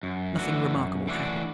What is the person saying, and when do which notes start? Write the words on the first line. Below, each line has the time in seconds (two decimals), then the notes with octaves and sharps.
Nothing remarkable hapened.
0.03 F#2
0.38 E3 A3 D4 F#4
0.72 F#2
1.07 E3 A3 D4 F#4